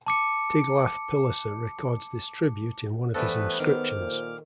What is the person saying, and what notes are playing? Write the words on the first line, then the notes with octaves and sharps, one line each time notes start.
Tiglath-Pileser records this tribute in one of his inscriptions.
A5 D6 C#7
E2 E3 G3 A3 B3 A4 B4 C5
D#3 B3 D6 F6
A#2